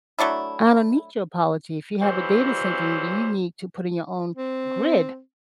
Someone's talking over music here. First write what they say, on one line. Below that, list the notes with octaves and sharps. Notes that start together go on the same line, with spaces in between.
I don't need your apology. If you have a data center, then you need to put in your own grid,
F#3 A3 D4 E4
E2 E3 F#3 G3 C5
C4